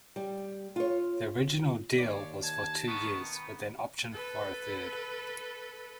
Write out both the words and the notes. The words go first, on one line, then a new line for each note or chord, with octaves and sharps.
The original deal was for two years with an option for a third.
G3
F4 C#5
D#2 C#5 D5
A5 G#6
D#3 B3 C#6
B5
A4 B4